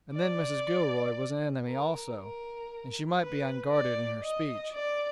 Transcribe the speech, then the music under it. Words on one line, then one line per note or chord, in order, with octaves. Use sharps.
And then Mrs. Gilroy was an enemy also, and she might be unguarded in her speech.
D5
A#4
A#4
B4
D5
D#5
D5